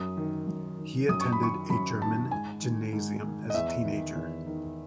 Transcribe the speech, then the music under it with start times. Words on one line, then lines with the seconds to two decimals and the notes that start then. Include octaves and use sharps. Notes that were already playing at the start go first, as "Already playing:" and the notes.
He attended a German gymnasium as a teenager.
Already playing: F#2 D#6
0.17 D#3
0.47 F#2
0.79 D#3
1.09 F#2 D#6
1.21 C#6
1.32 B5
1.39 D#3 C#6
1.70 F#2 B5
2.01 D#3 A5
2.31 G#2 G#5
2.62 D#3
2.93 G#2
3.23 D#3
3.50 D#5
3.54 E2 E5
3.85 D#3
4.15 E2
4.46 D#3